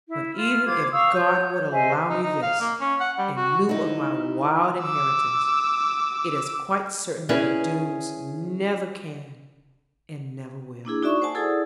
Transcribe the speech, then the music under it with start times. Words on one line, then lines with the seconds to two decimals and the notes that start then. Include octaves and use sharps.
But even if God would allow me this, in lieu of my wild inheritance, it is quite certain that the Doones never can and never will.'
0.07 E4
0.35 F4 F6
0.65 F4 C5 D6 G#6
0.91 F5 C#6 D#6 E6
1.13 C#5 G6
1.70 C5 D#5 E5 G#5
2.10 D#4
2.23 D#4
2.43 F5
2.61 A#3
2.81 C#4
3.00 F#5
3.18 G3
3.37 F#4
3.69 D#4 E4
4.83 D6 E6
7.29 C#4 E4 G#4 B4 D5
10.85 A#3 D4 E4 G#4
11.03 D#4 F#4 D5 E5 C#6
11.22 C5 F#5 G#5 A5
11.35 E4 G#4 A4 D5 D#6